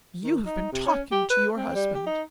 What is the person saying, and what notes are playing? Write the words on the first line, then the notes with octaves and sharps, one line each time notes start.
You have been talking to your husband!'
D#3
D#4
C3
C#4
G4
B4
C4
G3
G4
D#4